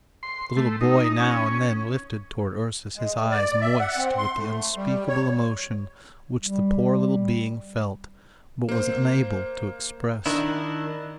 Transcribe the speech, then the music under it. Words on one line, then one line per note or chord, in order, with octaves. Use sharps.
The little boy now and then lifted towards Ursus his eyes moist with the unspeakable emotion which the poor little being felt, but was unable to express.
C6
A3
D#4
C#4
G#3
A3
D5
E5
F#5
C4
C6
A3
G3
C#5
G3
A#3 C5
D#3 D4 E4